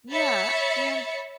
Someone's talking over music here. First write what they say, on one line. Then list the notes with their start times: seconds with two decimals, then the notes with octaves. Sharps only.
Yeah, and
0.12 C#5 E5 B5 A6 C#7